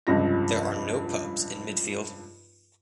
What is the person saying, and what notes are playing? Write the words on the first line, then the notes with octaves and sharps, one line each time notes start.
There are no pubs in Midfield.
F1 C#2 G2 F3 A#6